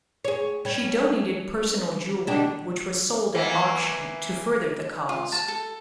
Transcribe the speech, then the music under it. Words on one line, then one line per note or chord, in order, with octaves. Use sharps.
She donated personal jewelry which was sold at auction to further the cause.
G#4 C#5
G3 C#4
B2 D4 G4
E3 A#3 B3
F4
A5
A4